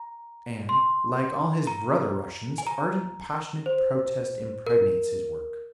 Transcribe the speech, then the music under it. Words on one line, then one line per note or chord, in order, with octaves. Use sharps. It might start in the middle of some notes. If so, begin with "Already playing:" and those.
And, like all his brother Russians, ardent, passionate protest impregnates his work.
Already playing: A#5
C6
A#5
G#5
A#5
C5
A#4